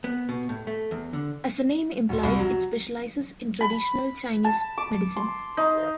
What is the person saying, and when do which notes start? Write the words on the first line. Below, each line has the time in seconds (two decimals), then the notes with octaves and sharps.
As the name implies, it specializes in traditional Chinese medicine.
0.04 B3
0.29 B2
0.49 A2
0.67 A3
0.91 E2
1.13 D3
2.09 D1
2.23 C2
2.39 F#3
3.61 B5
4.44 A5
4.78 D6
5.16 C6
5.57 D#4